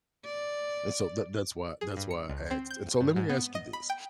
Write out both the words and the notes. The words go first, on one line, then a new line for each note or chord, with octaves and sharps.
And so that that's why that's why I asked and so let me ask you this,
D5
G#4
G2
C#7
C#2
C4
G6
G2
G#2
B3
D#5
B5
G5